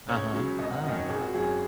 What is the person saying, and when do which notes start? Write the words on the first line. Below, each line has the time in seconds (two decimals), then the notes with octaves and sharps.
Uh-huh, ah.
0.09 C#2 C#5
0.34 C#3 F#3
0.59 G#1 D#5
0.71 F#5
0.83 F#2 D#3 D#5
0.96 C#5
1.09 G#1 G#4
1.21 F#4
1.34 F#2 F#3 G#4